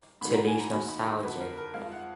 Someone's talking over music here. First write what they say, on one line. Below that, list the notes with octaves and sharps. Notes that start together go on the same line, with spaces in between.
To leave nostalgia.
G#2 D#3 F#3 B5
A#5
G#5
A#5
D#2 D#3 F#3 B5
B5
A#5
F2 D3 F#3 B4
A#4
A#4
F2 F3 G#3 F5
F#5